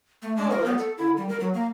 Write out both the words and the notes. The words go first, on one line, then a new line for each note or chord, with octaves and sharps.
Oh, that's cool.
A3
G#3
A#4
B3
A4
E4
G3
A#4
F#3
A#3